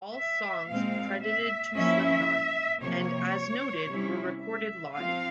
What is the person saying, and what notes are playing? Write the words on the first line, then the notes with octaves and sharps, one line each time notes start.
All songs credited to Slipknot and, as noted, were recorded live.
E5
A#2 G#3 C4 F5
E5
F3 A#3 C#4 E4 E5
C3 F3 A#3 C#5
C3 G3 C#4 E4
E5
F3 C4 F4 F5